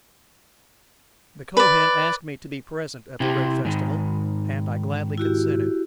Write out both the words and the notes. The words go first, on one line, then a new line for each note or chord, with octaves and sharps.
The Kohen asked me to be present at the great festival, and I gladly consented.
B4 D5
C3 E4 G4
G#2 D#3
E4 F#4 G4